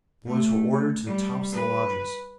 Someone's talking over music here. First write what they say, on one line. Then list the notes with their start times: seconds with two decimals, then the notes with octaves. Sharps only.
The boys were ordered to the tops of the lodges.
0.25 A3
1.06 G3
1.51 B4